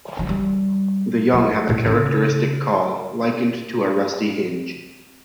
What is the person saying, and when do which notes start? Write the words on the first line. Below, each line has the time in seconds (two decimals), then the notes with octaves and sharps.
The young have a characteristic call, likened to a rusty hinge.
0.19 F#3
0.29 G3
1.33 F#3
1.69 A2
1.86 C#3